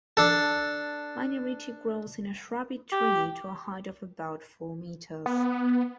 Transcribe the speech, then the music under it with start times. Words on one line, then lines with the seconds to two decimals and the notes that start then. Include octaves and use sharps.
Miniritchie grows is a shrubby tree to a height of about four metres.
0.17 D4 A4
2.92 G4
5.26 B3